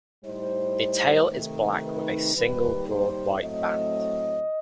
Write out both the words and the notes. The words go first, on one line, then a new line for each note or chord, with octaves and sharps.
The tail is black with a single broad white band.
A2 G3 D#4 C5
C3 D#3 A3 D#4
B4
D#2 D#3 G3 B4
C5
A2 F#3 A3 C4 D#5